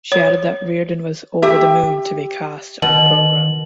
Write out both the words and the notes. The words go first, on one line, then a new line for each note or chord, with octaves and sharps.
She added that Riordan was "over the moon" to be cast on the programme.
C#5
G4 E5
B2 D#3 F#7